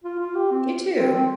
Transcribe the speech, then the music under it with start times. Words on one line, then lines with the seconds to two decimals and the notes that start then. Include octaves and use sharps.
You, too.
0.04 F4
0.19 F4
0.35 G4
0.51 C4
0.98 C4
1.14 C4